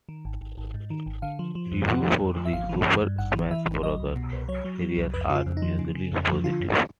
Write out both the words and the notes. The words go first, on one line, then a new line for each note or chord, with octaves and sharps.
Reviews for the "Super Smash Brothers" series are usually positive.
D#3
G#1
G#1
G#1
G#2
D#3
G#1
D3 F5
F3
F3
F2
F3 F#5
F2
F2
F3
E5
G#1 F5
E3
G2
G2
G#1 F#5
E3
E3 E5
G#1
F#3 D#5
C2
B2
C2
F#3 C#5
F#3
F#3
C2
F2 B4
C#3 F#4
F4
F2
D#4
F3
C#3
C#3
F2
F3
D3 F4
F#2